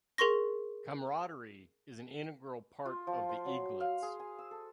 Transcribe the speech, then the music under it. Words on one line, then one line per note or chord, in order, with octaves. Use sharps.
Camaraderie is an integral part of the eaglets.
G#4 A#4 C6 C#6 A#6
F4
F3
C5
F#3
F5
G#4
G#5
E6
A4